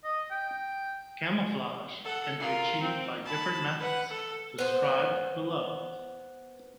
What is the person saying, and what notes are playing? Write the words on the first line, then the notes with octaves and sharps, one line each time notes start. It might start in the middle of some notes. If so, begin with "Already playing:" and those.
Camouflage can be achieved by different methods, described below.
D#5
G5
A4 F#5
F4 A#4
C4
A5 B5
B4 F#5
A4
B3 C5